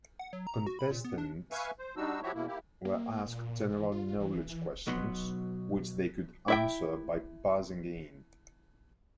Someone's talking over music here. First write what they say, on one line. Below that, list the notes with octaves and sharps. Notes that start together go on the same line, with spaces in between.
Contestants were asked general knowledge questions, which they could answer by buzzing in.
F#5
F#3
A#5
F#4
B5
A#2
B3
D4
B4 E5 F5 G#5 C#6
C5
G3 D4 D#4 F#4 E6
F3 E4 F#4 G4 C#5 E5
E2 B2 A#3 E4
A#3 E4 G4
A#3
A#2
E3
F4
E3
E3
B1 B2 F#3 B3 C6
E4 E5 G5